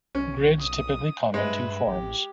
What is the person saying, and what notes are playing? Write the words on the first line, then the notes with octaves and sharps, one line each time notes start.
Grids typically come in two forms.
B1 C#4
D#6
G2 G#3 B4 E5
A1 G4